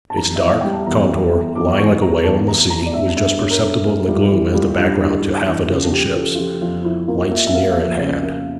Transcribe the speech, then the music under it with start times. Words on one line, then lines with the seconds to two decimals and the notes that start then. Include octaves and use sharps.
Its dark contour, lying like a whale on the sea, was just perceptible in the gloom as the background to half-a-dozen ships' lights nearer at hand.
0.10 A5
0.17 E3 A#5
0.36 E2 E5
0.48 F5
0.61 G3 G5
0.73 A5
0.86 E2 A#5
1.10 E2
1.32 E2
1.55 E2 D6
1.78 E3 C#6
2.01 E3 A#5
2.24 E2 A5
2.47 E2 A#5
2.70 E2 A#5
2.86 D5
2.93 G2 E5
3.16 G2 E5
3.39 G2 C#5
3.51 A#4
3.63 G2 A4
3.85 G2 A4
4.08 G3 F4
4.32 E3 E4
4.54 G3 F4
4.67 G4
4.77 G2 F4
5.01 G2 E4
5.23 G2
5.46 E3
5.69 C#3 F4
5.93 F3 G4
6.16 F3 A4
6.35 F4
6.39 F3 G4
6.62 F2 F4
6.84 F3 E4
7.07 A#3 F4
7.31 A#3 E5
7.46 E5
7.54 A#3 F5
7.71 F5
7.77 F2 E5
8.00 C#3
8.23 A#3